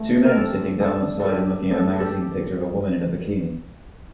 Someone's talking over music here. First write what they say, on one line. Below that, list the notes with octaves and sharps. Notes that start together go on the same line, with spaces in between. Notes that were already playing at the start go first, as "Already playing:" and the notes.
Two men sitting down outside and looking at a magazine picture of a woman in a bikini.
Already playing: A3
A#4
C4 G4 A4
G3 A4
A4
D4 G4 A#4
A3 A4
A4
G4